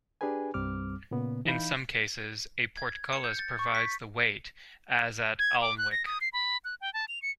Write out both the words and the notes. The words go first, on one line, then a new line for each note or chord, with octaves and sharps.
In some cases, a portcullis provides the weight, as at Alnwick.
D4 G4 G#4 B4 G#5
C2 G2 G3 C4 D6 F6
A#2 C#3 B3
E3 D#4 F5 B5 G6
G#6
C#7
G6
A6
C#6
B6
G#6
D6
F#6
A#6
D#6
C7
B5
F#6
G5
A5
F7
C#7